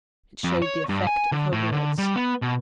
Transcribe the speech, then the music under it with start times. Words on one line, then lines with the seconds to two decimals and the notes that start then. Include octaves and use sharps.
It showed the effect of her words.
0.44 F2
0.62 C#5
0.89 G2
1.07 G#5
1.32 D3
1.52 A2
1.72 D3
1.98 G3
2.16 B3
2.42 B2